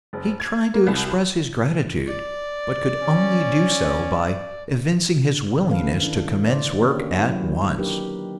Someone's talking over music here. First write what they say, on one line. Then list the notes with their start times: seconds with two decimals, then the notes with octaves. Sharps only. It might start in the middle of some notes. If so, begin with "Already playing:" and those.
He tried to express his gratitude, but could only do so by evincing his willingness to commence work at once.
0.13 F#1
0.40 G#6
0.74 A#3
0.87 C2
2.07 D5
3.02 C#4
5.67 D#3 A3 C#4 A4 B4 F5
6.02 D4 E4
6.46 C5 D5
6.81 D3 A#3 C#4 G4 C#5
7.19 F#3 E4
7.78 D4 D#4 G4 A#4 B4